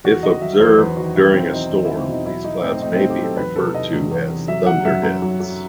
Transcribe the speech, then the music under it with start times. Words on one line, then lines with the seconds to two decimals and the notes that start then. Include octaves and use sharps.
If observed during a storm, these clouds may be referred to as thunderheads.
0.05 E2 F#4
0.23 D#3 D#5
0.42 F#3 E5
0.60 E2 C5
0.78 E2 B4
0.97 D#3 F#4
1.15 E2 E4
1.34 B2 C4
1.52 F#3 D#4
1.71 E2 D#4
1.85 E2 E4
1.98 C4
2.08 B2 D#4
2.26 F#3 E4
2.44 F#3 D#4
2.63 A2 C4
2.82 A2 D#4
2.96 C4
3.01 F#3
3.10 G4
3.19 F#3 A4
3.37 E2 B4
3.56 C3 A4
3.74 E3 D#5
3.92 E2
4.11 E2
4.30 C3
4.48 F#3 E5
4.66 F#3 F#5
4.85 F#2 E5
5.03 F#2
5.22 F#3
5.40 F#3